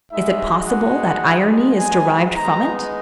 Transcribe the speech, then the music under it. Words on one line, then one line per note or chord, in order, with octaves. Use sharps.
Is it possible that irony is derived from it?
G#3 D#4 F#4 E5
F#5
G#5
G#3 B3 D#4 A#5